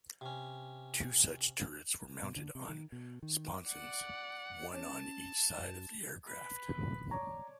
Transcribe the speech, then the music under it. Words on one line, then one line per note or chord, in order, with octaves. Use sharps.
Two such turrets were mounted on sponsons, one on each side of the aircraft.
C3 C#4
B2
D3
C3
D#3
B2
D#3
D5 F#5
C#4 A5
F#2
B4
C#5 D5 A5 A#5